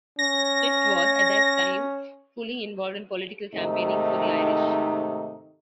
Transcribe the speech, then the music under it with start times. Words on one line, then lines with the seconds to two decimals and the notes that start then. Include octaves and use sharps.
Swift was, at this time, fully involved in political campaigning for the Irish.
0.19 C#4 A#6
3.55 G#2 C3 D#3 A3 D#4 D#5